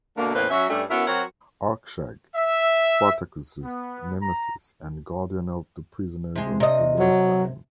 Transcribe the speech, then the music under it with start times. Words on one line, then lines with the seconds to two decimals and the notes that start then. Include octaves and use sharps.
Arkshag: Spartakus' nemesis and guardian of the Prisoners of the Lost Time.
0.17 B2 D3 A3 A#3
0.34 E2 A2 A#3 C#4 B4 C5
0.50 F#3 C#4 F#4 E5
0.69 G2 G3 A3 C#4 D4
0.90 B3 C#4 E4 F#4 A#4
1.07 F#3 C4 F#4 A#4 C#5 F#5
2.36 E5
3.63 B3
4.22 A#5
6.35 C3 G#3
6.60 C3 D#5
6.99 F#3